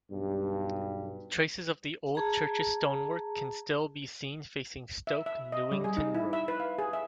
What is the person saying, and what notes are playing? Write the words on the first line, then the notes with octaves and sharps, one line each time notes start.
Traces of the old church's stonework can still be seen facing Stoke Newington Road.
B1 G2
G#4 A5 A#5
E5
E5
D#5
G3
G#4
D#4
E4
E5
B4
F5
G#4
E5